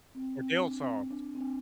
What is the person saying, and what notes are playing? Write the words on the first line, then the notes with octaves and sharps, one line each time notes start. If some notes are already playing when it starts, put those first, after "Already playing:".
or dill sauce.
C4
C4
C4
D4
C4
D4
C4
D4